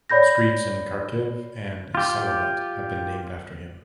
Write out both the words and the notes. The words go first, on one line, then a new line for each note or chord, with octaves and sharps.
Streets in Kharkiv and Salavat have been named after him.
C#5 D5 B5 G6 A#6
F4 G4